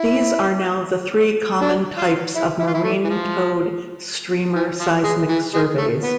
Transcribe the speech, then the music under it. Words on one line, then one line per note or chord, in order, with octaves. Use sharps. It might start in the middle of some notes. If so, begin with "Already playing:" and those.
These are now the three common types of marine towed streamer seismic surveys.
Already playing: E4
D4
F4
E4
E4
F4
E4
A3
E3
F3
E3
F3
G#3
E3
G#3
A3
B3